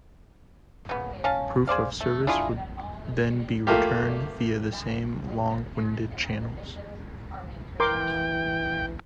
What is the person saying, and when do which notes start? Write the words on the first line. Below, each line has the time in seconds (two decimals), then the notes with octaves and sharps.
Proof of service would then be returned via the same long winded channels.
0.89 C#3 B3
1.24 C#4 F5 A5
1.67 G#4 C5 D5 F5
2.01 A3
2.27 D4 E4 F4 G#4
3.67 A3 A#3 F4 G4
7.80 E3 A#4 G5 C6 D6